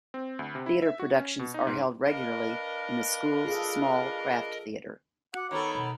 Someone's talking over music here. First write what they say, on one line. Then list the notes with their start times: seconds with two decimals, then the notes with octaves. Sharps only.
Theatre productions are held regularly in the school's small Kraft Theatre.
0.14 C4
0.39 D2
0.55 C3
0.66 E4
0.82 E5
0.99 F#4
1.16 C#4
1.39 B2
1.54 D#4
1.67 G#2
2.04 D4 A#4 B4 D#5 F5
3.45 F4 G#4 A4
5.33 F#4 F#5 D6
5.51 D#3 B3 A4 C#5 A#5 B5
5.75 B2 D#4